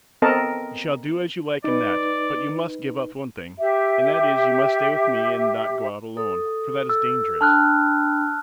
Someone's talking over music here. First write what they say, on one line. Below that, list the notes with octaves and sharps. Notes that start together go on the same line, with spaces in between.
You shall do as you like in that, but you must give up one thing, and that is you must stay with me and not go out alone, for that is dangerous.
B3 C4 A4 A#4 D#5 A5
D#4 B4 D5
G4 E5
A4 D#6
A4 E6
D4 G5 A5 B5 F6 F#6